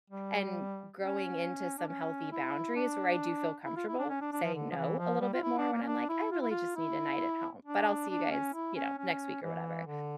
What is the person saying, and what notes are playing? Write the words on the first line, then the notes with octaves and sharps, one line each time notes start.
And growing into some healthy boundaries where I do feel comfortable saying "No" a little bit more when I'm like, "I really just need a night at home, but I'll see you guys, you know, next week or whatever."
G3
C#4
D4
C#4
E4
D4
E4
F4
E4
D4
C#4
D4
D4
F3
D3
F3
E3
F3
G3
F4
E4
D4
A#3
C#4
D4
E4
F4
E4
F4
E4
D4
D4
C#4
E4
C#4
C#4
E3
D3